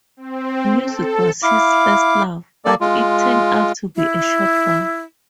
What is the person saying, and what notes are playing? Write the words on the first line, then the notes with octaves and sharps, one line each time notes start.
Music was his first love, but it turned out to be a short one.
C4
A4
E4 F5 D6
A#3 A4 D5
G#3 F4
E4